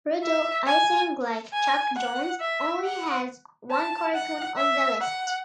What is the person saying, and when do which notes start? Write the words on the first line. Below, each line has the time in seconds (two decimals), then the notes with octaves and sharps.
Rudolf Ising, like Chuck Jones, only has one cartoon on the list.
0.24 E5
0.67 G#5
1.54 G#5
1.97 F#5
2.40 E5
2.84 F#5
3.71 A5
4.15 F#5
4.58 E5
5.01 F#5